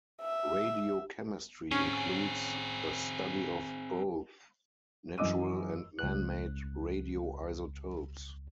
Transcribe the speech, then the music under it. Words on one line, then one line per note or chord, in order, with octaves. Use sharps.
Radiochemistry includes the study of both natural and man-made radioisotopes.
E5
C4 C#4 G#4
F#2 E3 D#5 D6 E6 D#7
C#2 F#6